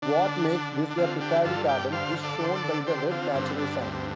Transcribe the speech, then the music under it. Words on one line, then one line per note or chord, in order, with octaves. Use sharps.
What makes this a Picardy cadence is shown by the red natural sign.
D3 D4
D3
D4
D3 C4 F4
D4 G4
G2 F4 A4
D5 G5
D3 C5 F5
A4 D5
D3 C5
A4 D5
D3 G4 C5
C4 F4
G2 C4
D4
D2 C4
C4